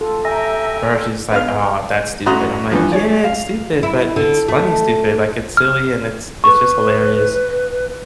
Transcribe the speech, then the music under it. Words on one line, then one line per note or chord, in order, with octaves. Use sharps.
for her she's just like, "Oh, that's stupid." I'm like, "Yeah, it's stupid, but it's funny stupid, like, it's silly and it's it's just hilarious."
F4 A4
G4 E5 G5 G#5 A#5 E6
B3 F5 F6
A1 A2 F#4 A#5 C6 D#6
G2 E3 F3
G#4 C#5 D5
F5
E4
D3
A3
F6
B4 C#6